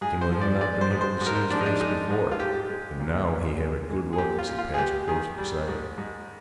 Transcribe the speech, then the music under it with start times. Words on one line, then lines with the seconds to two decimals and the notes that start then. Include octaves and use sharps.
Gimblet had not been able to see his face before, but now he had a good look as he passed close beside him.
0.01 G#2 G#4
0.21 C5
0.32 F3
0.41 D5
0.61 G#3 D5
0.81 C5
0.91 G#2
1.01 C5
1.21 G#2
1.27 A#4
1.35 C5
1.50 F3 D4
1.61 D#4
1.66 D4
1.80 G#3 D#4
2.10 G#2
2.31 F4
2.40 G#3 G4
2.69 G#3
3.00 A#2
3.29 A#2
3.59 G#3
3.89 G#3
4.13 G#4
4.18 A#2 G4
4.39 F4
4.49 A#2
4.59 F4
4.74 G#4
4.78 G#2 G4
5.08 D#3 G#4
5.38 G3
5.68 G#2
5.98 G#2